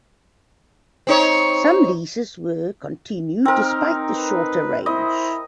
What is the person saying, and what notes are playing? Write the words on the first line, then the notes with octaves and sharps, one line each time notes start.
Some leases were continued despite the shorter range.
C4 D#4 C#5
C4 D#4 A#4 F6
B4
E4 C5 D#5